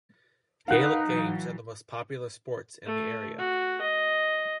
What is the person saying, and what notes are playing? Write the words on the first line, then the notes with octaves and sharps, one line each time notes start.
Gaelic games are the most popular sports in the area.
D#4 A#4 B4 F5 F#5 F#6
E3 F#3
A3
F#4
D#5